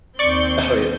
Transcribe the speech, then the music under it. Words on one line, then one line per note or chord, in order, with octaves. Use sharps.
Oh, yeah.
D#2 C4 D5 C#6 G6